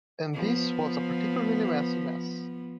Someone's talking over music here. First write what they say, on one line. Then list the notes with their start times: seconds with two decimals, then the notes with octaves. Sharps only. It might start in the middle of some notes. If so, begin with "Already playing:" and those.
And this was a particularly messy mess.
0.33 F3 B3